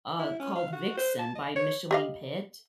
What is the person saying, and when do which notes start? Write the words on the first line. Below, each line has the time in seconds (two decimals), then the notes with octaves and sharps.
uh, called Vixen by Micheline Pitt,
0.20 E4
0.40 C#4
0.56 F5
0.73 F#4
0.97 C5
1.19 A5
1.36 D#5
1.56 C#5
1.91 G4 D#5 F5